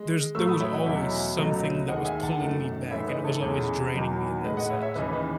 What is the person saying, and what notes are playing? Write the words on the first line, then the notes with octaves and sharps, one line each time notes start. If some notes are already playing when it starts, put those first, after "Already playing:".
there's there was always something that was pulling me back and it was always draining me in that sense.
Already playing: G#3
A2 F#3 A3 C#6 E6
B5 D#6
C#5 E5
D#5 F#5
E2 B2 F#3 A3 C#5 E5
C#2 B2 F#3 A3
D#2 D#3 G#3 D#5 F#5
E5 G#5
F#5 A5
F#2 D#3 A3
G#2 E3 A3 C#5 E5
B4 D#5
A4 C#5
E2 C#3 G#3
E2 D#3 F#3
A2 G#3 B4 D#5
D#5 F#5
C#5 E5
C#5 E5
D#2 C#3 E3 B4 D#5
B4 D#5